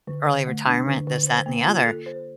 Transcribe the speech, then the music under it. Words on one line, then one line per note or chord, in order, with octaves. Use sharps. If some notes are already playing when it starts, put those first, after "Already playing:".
early retirement, this, that, and the other,
D3
D3
A3
D4
D3
D3
C5
A#3
F4
A4
C5